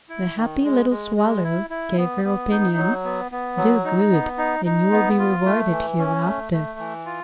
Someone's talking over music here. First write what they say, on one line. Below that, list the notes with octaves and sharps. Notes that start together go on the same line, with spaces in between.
The happy little Swallow gave her opinion,--"Do good and you will be rewarded hereafter."
E4
D#3
G#3
G#3
G#3
E4
E4
B3
B3
D#4
F#3
B3
B3
F#3
D#4
B3
D#4
D#4
B3
F4
A3
E3
C#4
A3
A3
E3
F4